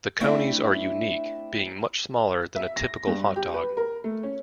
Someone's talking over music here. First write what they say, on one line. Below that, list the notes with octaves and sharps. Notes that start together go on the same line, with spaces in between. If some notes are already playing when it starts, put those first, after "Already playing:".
The coneys are unique, being much smaller than a typical hot dog.
A3 C4 D4 E4 D5 E5
E5
A#6
G2
G4
B4
A#4
A3
C#4